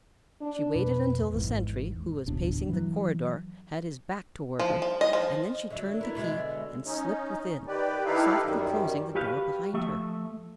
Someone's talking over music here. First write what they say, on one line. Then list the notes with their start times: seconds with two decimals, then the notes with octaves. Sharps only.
She waited until the sentry who was pacing the corridor had his back toward her and then she turned the key and slipped within, softly closing the door behind her.
0.41 D4
0.75 F2 B2 B4
1.33 G#1 E2 G#2
2.26 D1 G1 B2 D4
2.69 E3 F#3
4.59 F3
4.82 F3
5.01 D#5
5.13 F3
5.52 D#5
5.70 D3 F#3 E5
6.01 B3 E4 A#4
6.15 B2 D3 G#3
6.85 C#4 D#4
7.67 D#3 G4 B4 D5
8.05 D#4 E4 G4 A4 B4 F5
8.44 F#2 D#3 G3
9.15 F#4 G4 B4 F5
9.74 F3 A3 E5